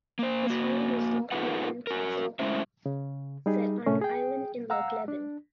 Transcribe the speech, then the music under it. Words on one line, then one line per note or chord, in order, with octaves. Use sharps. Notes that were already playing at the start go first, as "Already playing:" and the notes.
His home was Lochleven Castle set on an island in Loch Leven.
A#3 C5
A#3 F#4
D#4 F4 G#4 A4 B4 F#5
F#4 A#4
G#3 A3 C#4 E4 C5 E5
C#3
G3 D#4 G#4
A2 C3 A3 C#4
G#4 G5
F5 F#5 A#5 E6
D4